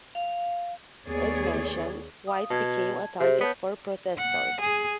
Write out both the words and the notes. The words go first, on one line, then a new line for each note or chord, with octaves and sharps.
As mentioned, White became a target for protestors.
F5
D#2 D#3 B3 G#4 C#5 D5
F5 D#6
B2 A5 G#6
C3 G#4 C5 E5
B3 C#5 A5 G6
F#5
G#4